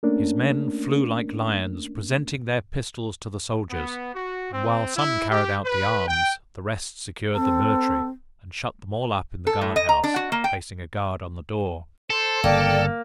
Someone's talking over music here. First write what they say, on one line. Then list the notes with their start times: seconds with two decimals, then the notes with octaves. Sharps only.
His men flew like lions, presented their pistols to the soldiers, and while some carried out the arms, the rest secured the military, and shut them all up in the guard-house, placing a guard on the door.
0.03 A3 A#3 C#4 D4 A#4
3.70 B3
4.14 F#4
4.52 C4
4.94 E4
5.29 G4
5.64 B4
6.06 G5
7.35 C4 A4
9.47 A4
9.61 A2
9.76 D#5
9.89 A#5
10.04 D4
10.16 F#4
10.32 A#3
10.44 G5
12.10 A4 C5
12.44 G1 C#3 A#3 D5 G5